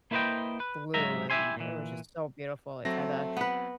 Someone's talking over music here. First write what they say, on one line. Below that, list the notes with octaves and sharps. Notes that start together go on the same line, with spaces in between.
blue, and it was just so beautiful, it kinda,
A#3 E4 B4 C5 D#5 G5
B4
G#2 C#3 F#3 G#3 E5 A#5
E4 G4 E5 G#5 C6
A#2 E3
F#3 A3 C4 A#6
B3 B4